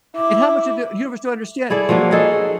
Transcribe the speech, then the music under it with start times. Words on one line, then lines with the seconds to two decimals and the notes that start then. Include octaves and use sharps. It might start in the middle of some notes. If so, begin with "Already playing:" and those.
and how much of the universe do you understand, like
0.16 E4 D6
1.70 E4 G#4 A4 D5
1.89 F3 F#3 A#3 D4
2.12 D#4 G#4 A4